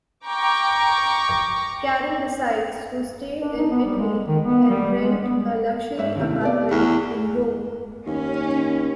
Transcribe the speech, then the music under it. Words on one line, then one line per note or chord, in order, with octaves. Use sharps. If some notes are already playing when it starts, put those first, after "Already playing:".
Karen decides to stay in Italy and rent a luxury apartment in Rome.
G5 A#5 C#6 D6
D4
D#4
B3
G3
G#3
D#3
B3
G3
G#3
B3
G#2 C#4 E5
D#2 A2 C3
B3 G4 D5
E2 C#6
D#2 C#4